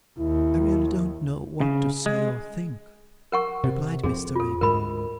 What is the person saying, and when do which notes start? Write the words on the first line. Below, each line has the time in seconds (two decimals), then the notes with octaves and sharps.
I really don't know what to say or think,' replied Mr Abel.
0.19 D#2 E4
1.61 C#3
2.06 G#3
3.32 A#4 F#5 C#6
3.63 C3
4.03 F2 C4 G#4
4.36 F4 A4
4.61 D2 G#2 A#4 B5